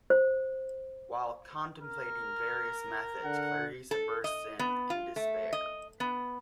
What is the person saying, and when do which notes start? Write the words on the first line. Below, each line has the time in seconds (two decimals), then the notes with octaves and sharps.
While contemplating various methods, Clarisa bursts in in despair.
0.10 C5
1.82 A#4 F6
3.25 D3 F#5
3.91 A4
4.24 D#5
4.59 B3
4.90 F4
5.16 A3
5.53 D#5
6.00 B3